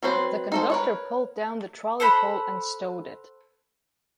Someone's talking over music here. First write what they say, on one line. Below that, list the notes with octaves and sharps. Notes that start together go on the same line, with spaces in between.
The conductor pulled down the trolley pole and stowed it.
F#3 C4 B4 C5
D#4 A4 C5
A#4 B4 C#5
A4 C5 F#5 B5